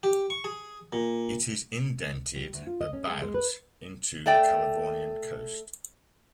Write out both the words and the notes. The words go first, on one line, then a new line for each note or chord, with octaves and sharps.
It is indented about into the California coast.
G4
C#6
G#4
A#2
G3
D2
F4
D#5
C#4
G#3
G#3
B4
A3 D5 G5